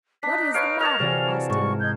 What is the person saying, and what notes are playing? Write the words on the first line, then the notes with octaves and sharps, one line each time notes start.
'What is the matter?' asked he.
D4 D#4 F#6 B6
B4 C#5 F5 D7
A#4 C#5 A5 F7
C3 E3 F#4 G#4 D5
G#2 C#6
D#4 G6 G#6